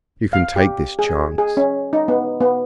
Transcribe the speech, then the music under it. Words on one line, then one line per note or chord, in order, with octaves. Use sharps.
You can take this chance.
F5
G4
G#4
G#4
C#4
D#4
B3
B3